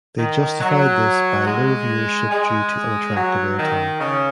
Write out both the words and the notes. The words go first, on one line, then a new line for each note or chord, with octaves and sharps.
They justified this by low viewership due to unattractive airtime.
D#3
F#3
G#3
G#3
F#3
D#3
C#3